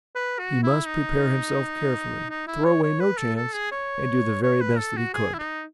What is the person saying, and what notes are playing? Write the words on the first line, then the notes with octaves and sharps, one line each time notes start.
He must prepare himself carefully, throw away no chance, and do the very best that he could.
B4
F#4
E4
D#4
D#4
E4
C#5
C#5
B4
A4
A4
G#4
C#5
C#5
B4
A4
F#4
G#4
E4
D#4